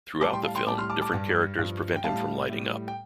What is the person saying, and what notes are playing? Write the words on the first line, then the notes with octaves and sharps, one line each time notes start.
Throughout the film, different characters prevent him from lighting up.
A2 G3 A5 D6
G5 C6
F5 A5
G5 C6
A2 G3 A5 D6
C6 F6
A5 D6
A5 D6
G2 G3
G2 F3
G5
A2 G3 F5 A5
A2 G3
G5